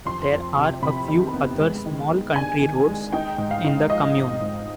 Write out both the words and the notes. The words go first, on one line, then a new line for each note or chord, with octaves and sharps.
There are a few other small country roads in the commune.
F2 C6
F2
C3
C3 B5
D#3
B3
G#3
D#3
G#3
D4 G#5
D#3
G#3
D#4 G5
G#2
F5
D#4
F3 D#5
C4
G#2